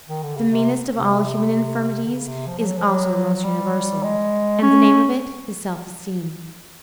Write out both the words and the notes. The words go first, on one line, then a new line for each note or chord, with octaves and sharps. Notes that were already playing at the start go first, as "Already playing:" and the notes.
The meanest of all human infirmities is also the most universal; and the name of it is Self-esteem.
D#3
D3
C#3
C3
C3
D3
C#3
C3
F3
F3
F#3
F3
F#3
F#3
G3
G#3
C#4